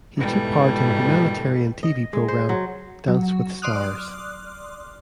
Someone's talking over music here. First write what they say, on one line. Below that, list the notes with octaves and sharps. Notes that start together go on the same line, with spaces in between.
He took part in humanitarian TV programme "Dance with stars".
G#2 B2 E3 G3 A3
D#5
G#3
C5
F#3
F#3
D5 C6 D6 D#6 F6 F#6